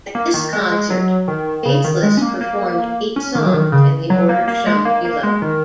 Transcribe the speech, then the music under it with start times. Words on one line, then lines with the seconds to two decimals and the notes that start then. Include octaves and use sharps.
At this concert, Faithless performed eight songs in the order shown below.
0.15 A#3
0.34 D#3
0.53 G#3
0.71 G#3
0.90 F#3
1.28 D#3
1.65 C#3
1.84 D#3
2.03 G#3
2.17 C#4
2.22 A#3
2.41 A#3
3.16 C#4
3.35 D#3
3.46 F#3
3.54 D#3
3.72 C#3
4.10 F#3
4.29 A#3
4.48 A#3
4.67 G#3
4.85 A#3
5.05 A#3
5.23 G#3
5.42 D#3